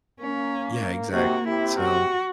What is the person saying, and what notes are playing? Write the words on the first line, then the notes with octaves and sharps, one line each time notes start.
Yeah. Exact so,
A#3 C#4
G#2 C3 A#3 F#4
C3 E4 G4
F#4